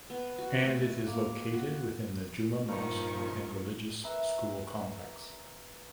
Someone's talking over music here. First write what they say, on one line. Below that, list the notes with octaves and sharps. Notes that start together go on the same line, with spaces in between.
And it is located within the Juma Mosque and religious school complex.
B3
F#4
A3
A#3
F#4
G2 A#2 D#3 F3 C#6
A#4 B4 E5